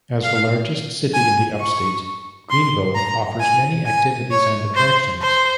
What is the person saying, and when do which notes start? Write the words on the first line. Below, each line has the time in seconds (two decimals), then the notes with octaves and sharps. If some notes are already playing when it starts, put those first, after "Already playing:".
As the largest city in the Upstate, Greenville offers many activities and attractions.
0.23 F5
1.14 G#5
1.60 C#6
2.50 C6
2.95 A#5
3.41 G#5
3.86 G#5
4.31 C#5
4.77 C5
5.21 C5